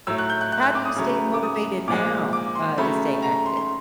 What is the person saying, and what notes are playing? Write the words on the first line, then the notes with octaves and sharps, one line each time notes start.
How do you stay motivated now, uh, to stay active?
A2 F#3 A3 E6
F#6
G6
F#6
F#6
F#6
D6
D#6
C#3 F#3 A3
D6
D#6
A#2 F3 G#3 D6
D6
C6
C#3 F#3 A3 B5
A#5
C6
C6